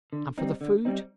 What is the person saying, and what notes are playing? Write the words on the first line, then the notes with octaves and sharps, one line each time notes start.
And for the food!
D3
G3 C4 D#4
D3
G3 C4 D#4